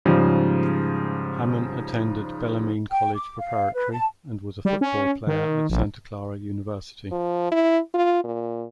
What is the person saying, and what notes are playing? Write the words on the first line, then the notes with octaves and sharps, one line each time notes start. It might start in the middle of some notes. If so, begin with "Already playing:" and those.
Hamann attended Bellarmine College Preparatory and was a football player at Santa Clara University.
G#2 C#3 F3 G3
G5
D6
F5
B4
A5
G3
C#4
D#3
A#1
F3
E4
F4
A#2